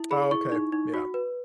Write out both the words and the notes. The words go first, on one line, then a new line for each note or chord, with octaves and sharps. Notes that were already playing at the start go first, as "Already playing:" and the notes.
Oh, okay. Yeah.
Already playing: E4
G#4 B5
E4 C#6
D#4
D#4
F#4
B4